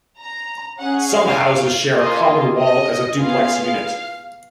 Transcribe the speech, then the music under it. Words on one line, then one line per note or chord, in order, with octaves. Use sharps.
Some houses share a common wall as a duplex unit.
A#5
C#4 G#4 F#5
F5
A#3 F4 G#4 D#5
D#5
B3 F4 G#4 F5